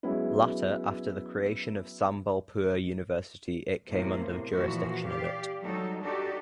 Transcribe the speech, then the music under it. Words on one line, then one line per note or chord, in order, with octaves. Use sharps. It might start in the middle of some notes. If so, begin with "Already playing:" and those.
Latter after the creation of Sambalpur University it came under the jurisdiction of it.
F#3 G#3 B3 C#4 E4
E2 A2 C3 A#3
A#2 E3 F3 A#3 F#4
G4 D5 F5
F#3 G3 D#4 A4
D4 D#4 F#4 G4 A4 D5